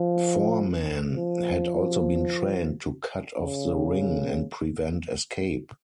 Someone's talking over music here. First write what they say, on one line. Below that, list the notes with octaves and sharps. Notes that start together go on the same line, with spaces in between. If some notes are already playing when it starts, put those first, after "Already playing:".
Foreman had also been trained to cut off the ring and prevent escape.
Already playing: F3
F3
C#3